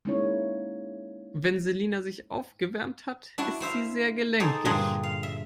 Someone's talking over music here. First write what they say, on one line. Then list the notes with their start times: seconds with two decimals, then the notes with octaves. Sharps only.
Wenn Selina sich aufgewärmt hat, ist sie sehr gelenkig.
0.05 G#3 A#3 C#4 D#4 E4 C#5
3.38 D4 E4 F#4
3.60 E4 C5 E5 F5
4.40 D#4 G#4 A4 C5 D5
4.65 G2 A#2 D3 D4 G#4 C5
5.03 F5
5.23 E5